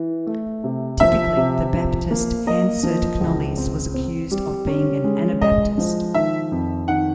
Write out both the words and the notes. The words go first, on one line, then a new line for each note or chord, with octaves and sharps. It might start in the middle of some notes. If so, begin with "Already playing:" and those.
Typically, the Baptist Hanserd Knollys was accused of being an Anabaptist.
Already playing: E3
A3
C3
F3 E5
C3
F3
A#3
A#3 D#5
F3
C#2
C4
C4
G3
C#4
G#3
G#3 D#5
F3
D#3 E5
F2
D#3 F#5